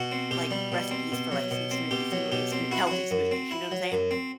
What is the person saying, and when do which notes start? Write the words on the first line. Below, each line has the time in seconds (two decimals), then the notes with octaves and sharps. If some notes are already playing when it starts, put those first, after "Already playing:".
like, recipes for, like, some smoothies, some really good smooth healthy smoothies, you know what I'm saying?
Already playing: B2 F#4
0.11 C4
0.31 B2 G4
0.51 G3
0.72 B2
0.91 C4
1.12 B2
1.32 F#3
1.51 B2
1.71 C4
1.91 B2 G4
2.12 F#3
2.32 B2 G4
2.52 C4
2.71 E4 F#4
2.87 F#3 F#4
3.11 F#2
3.31 C4
3.51 E4
3.72 F#3
3.92 F#2
4.11 C4